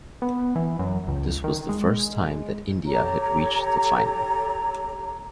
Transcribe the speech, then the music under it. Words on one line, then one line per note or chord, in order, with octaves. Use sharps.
This was the first time that India had reached the final.
B3
E3
F#2
C#2
D#3
G#3
G4 A4 C#5 A#5